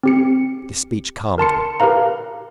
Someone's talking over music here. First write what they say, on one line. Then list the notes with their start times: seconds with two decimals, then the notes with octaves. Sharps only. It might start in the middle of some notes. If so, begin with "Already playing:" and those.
This speech calmed me.
0.03 C4 G4 C#7
1.38 A#4 A5 C6 C#7
1.80 G4 A#4 B4 F5 A#5